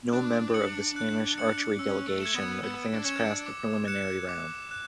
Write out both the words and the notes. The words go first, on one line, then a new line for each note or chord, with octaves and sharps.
No member of the Spanish archery delegation advanced past the preliminary round.
D4 F#6
C#7 F#7
F#6
C#7 F#7
C#4 E6
A3
G#6 C#7 E7
B3
B3 E6
D4
C#4 G#6 C#7 E7
D4
D6
F#6 C#7 E7
D6
F#6